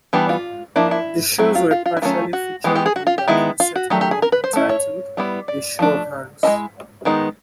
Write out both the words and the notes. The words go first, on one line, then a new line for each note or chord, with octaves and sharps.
The shows were partially featured on their concert album, entitled "A Show of Hands".
E3 G3 B3 D4 G4
F4
F3 A#3 D4 E4
E4
F#3 A3 C4 E4
F4
F4
F4
E4
D#3 F#3 A3 C#4 F4
F#4
E3 G#3 B3 G4
G4
G#4
F#4
F4
G4
D#3 G#3 B3 E4
F4
F#4
D#3 F#3 A3 G4
G4
G#4
A#4
B4
C5
A3 C#4 E4
C#5
G3 B3 E4
D5
F3 A3 D4
G#3 C#4 E4 D#5
D#3 G#3 B3 D#4